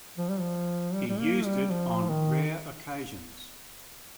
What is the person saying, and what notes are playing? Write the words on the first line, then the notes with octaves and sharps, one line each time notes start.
He used it on rare occasions.
F3
G3
F3
G3
G3
A#3
G3
F3
D#3